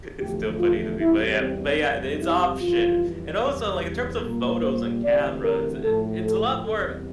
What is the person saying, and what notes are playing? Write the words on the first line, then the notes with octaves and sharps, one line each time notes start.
It's still funny to me, but yeah but yeah, it's option. And also, like, in terms of photos and cameras, it it's a lot more
E2 D3 F3 A3 G4
F4
E2 C3 G3 E4
C4
F2 C3 G3
E4
F2 E3 G3 F4
E2 C3 G3
A#2 G3 A#4
C5
D2 C3 E3 D5
A#4
A2 F3 A3 A4
A4
E2 C3 G3 A4